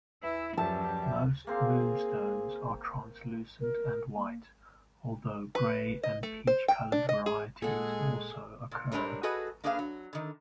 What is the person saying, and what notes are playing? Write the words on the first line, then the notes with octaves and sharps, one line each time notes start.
Most moonstones are translucent and white, although grey and peach-colored varieties also occur.
E3 E4 E6
F#2 B2 F3 G3 G4 E5 A5
A#3 C4 G#4 F5
A#4
A#3
B4
D#5
A3
C5
G5
D4
D#5
G#4
A#2 G#3 G#4 A4 F#5
A#2
G#2 D#3 G3 D4 A#4 C#5
F#4 G#4 A4 B4 D#5
A#3 D4 G#4 B4 D5 F5
F#3
D3 D#3